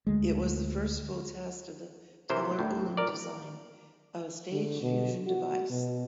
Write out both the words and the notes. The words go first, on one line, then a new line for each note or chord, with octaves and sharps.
It was the first full test of the Teller-Ulam design, a staged fusion device.
D2 G#3
C3 E3 A#4 C5
D2 A2
A#4 D5
D3
B2
F#4
B2